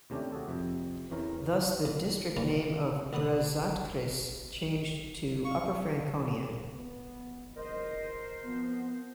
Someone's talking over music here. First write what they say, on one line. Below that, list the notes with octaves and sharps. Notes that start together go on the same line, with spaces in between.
Thus the district name of Rezatkreis changed to Upper Franconia.
D#2 C3 A3 C#4 D4 G4
F#4 G#4 A4
F2 C3
E2 C3 E3 C#4 A#4
E2
C#2 G3 A#3 C#4
A1 D3 B3 D4 D#6
F5 C#6
B3
F#1 C#2 A#4 C5 D#5
F2 F3 B3